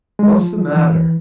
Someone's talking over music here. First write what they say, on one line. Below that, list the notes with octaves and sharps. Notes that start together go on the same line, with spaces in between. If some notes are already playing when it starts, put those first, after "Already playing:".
"What's the matter?"
G#3
F3
E3